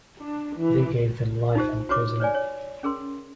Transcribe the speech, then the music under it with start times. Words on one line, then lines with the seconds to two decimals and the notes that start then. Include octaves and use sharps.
They gave them life in prison.
0.21 D4
0.54 E3
1.55 D#4 F4 G4 C5
1.89 F#4 B4 C#5 D6
2.20 B4 C#5 D5 G#5
2.34 C#5
2.83 C#4 G#4 A#4 C6